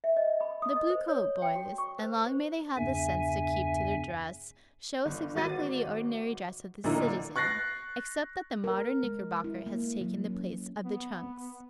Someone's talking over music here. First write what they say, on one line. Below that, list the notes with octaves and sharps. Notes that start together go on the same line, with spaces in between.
The Bluecoat Boys, and long may they have the sense to keep to their dress, show us exactly the ordinary dress of the citizen, except that the modern knickerbocker has taken the place of the trunks.
E5
D#5
B5
D#6
D#5
C5
C#5
G5
F#4
C#6
C5
C5
E2 G2 C#3 E5 G#5
G1
G#1 F#4 A6 D#7
A1 A#2 D3 E4 A#5
C#6 F#6 A6 A#6 C7
A#4
G#3
E4
A#3
F#3
C#4
B3